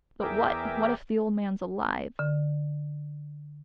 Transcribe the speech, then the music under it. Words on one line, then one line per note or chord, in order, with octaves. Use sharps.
But what, what if the old man's alive?
E2 G#4 A#4 E5 G5 D6
D3